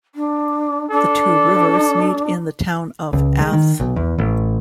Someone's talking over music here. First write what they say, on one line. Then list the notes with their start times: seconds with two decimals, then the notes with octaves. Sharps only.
The two rivers meet in the town of Ath.
0.15 D4
0.90 D4 A4
3.13 C#2
3.41 G#3
3.53 D#3
3.80 B1
3.96 E2
4.18 A1